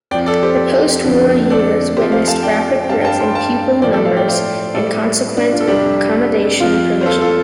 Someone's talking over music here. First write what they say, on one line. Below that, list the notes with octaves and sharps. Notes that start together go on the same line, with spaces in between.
The post-war years witnessed rapid growth in pupil numbers and consequent accommodation provision.
F2 F3 D5 G5
A4 D5
G4 C5
F2 D3 F3
A4 D5
F2 F3 G4 C5
C5 F5
F5 A5
D5 G5
G5
G2 G3 F5 A5
G5
F5 A5
G5 C6
G5
F5 A5
A2 F3 D5 G5
A4 D5
C5 F5
D5 G5
C5 F5
A2 G3 A4 D5
D4
F4
A4
F2 C3 G3 D4 G4
F2 F3 F4
C5
F4 A4
F4 A4